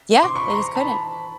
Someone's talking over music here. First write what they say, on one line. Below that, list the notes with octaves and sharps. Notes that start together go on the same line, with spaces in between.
Yeah. They just couldn't.
C6 D6
B5 C#6
A#5 C6
A5 B5